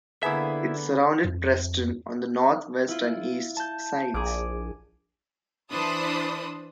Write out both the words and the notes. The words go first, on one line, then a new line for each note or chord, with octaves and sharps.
It surrounded Preston on the north, west and east sides.
D3 A#3 B3 E4 G#4 E5
F2
E4 F4
A5 G6
A#1 G#4 D6
E3 D4 C5 A5 B5 D#6